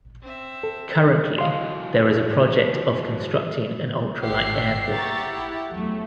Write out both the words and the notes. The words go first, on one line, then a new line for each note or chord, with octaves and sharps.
Currently there is a project of constructing an ultralight airport.
C4 E5
A4
E3 F#3 D#5 F5 C6
G#1 A3 G4 E5 F#5 C7
A#5 C#6 A6
E4
E2 F#3 A3